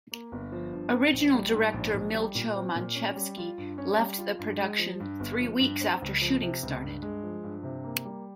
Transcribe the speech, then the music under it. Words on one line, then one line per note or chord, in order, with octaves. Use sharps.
Original director Milcho Manchevski left the production three weeks after shooting started.
A#3
G1
F3
G2
C4
A#1
G3
G#2
A#1
A#1
G3
A#2
C4
A#2
C#4
G3
F4
G2
C#4
G3
F4
G2
G#3
F3
G2
G1
F3
G2
C4
C#2
F3
C3
C#2
G2
G#3
F3
G2
C3
A#3
G3